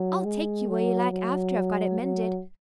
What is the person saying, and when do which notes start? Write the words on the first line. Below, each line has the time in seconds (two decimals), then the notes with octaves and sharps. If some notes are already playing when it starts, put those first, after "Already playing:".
I'll take you where you like after I've got it mended.
Already playing: F#3
0.24 G#3
0.68 F#3
1.11 F#3
2.00 F#3